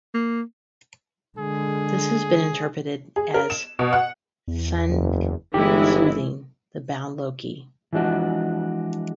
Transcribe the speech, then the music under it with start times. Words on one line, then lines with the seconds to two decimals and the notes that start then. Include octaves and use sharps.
This has been interpreted as Sigyn soothing the bound Loki.
0.14 A#3
1.38 D3 G#3 G#4
3.16 G#4
3.34 A#4
3.50 E7
3.79 B2
3.93 F#5
4.48 E2
4.89 F#1
5.54 G1 E3 G#3 D#4 E4 G4
7.93 E3 F3 G#3 D4 F#4